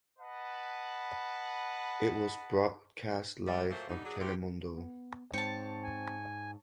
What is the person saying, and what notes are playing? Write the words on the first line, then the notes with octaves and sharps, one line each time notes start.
It was broadcast live on Telemundo.
B4 D#5 F#5 A5 B5
G3
A#2 F#3 A3 A#3 C5
D3 E3 G3 D#4
F#3 D4 G#4
A2 A3 C4 G4
B3
G#2 C4 C5 C#5 G5 A5
G#5